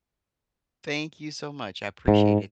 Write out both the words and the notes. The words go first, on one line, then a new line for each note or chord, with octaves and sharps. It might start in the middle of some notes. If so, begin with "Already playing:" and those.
Thank you so much, I appreciate it.
G#2